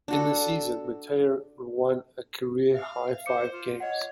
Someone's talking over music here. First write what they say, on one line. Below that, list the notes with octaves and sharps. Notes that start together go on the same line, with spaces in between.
In the season, Mitre won a career-high five games.
D4 F#4 A4
E5 F5
C5 D6 C#7
F4
C#5 D#5 F#5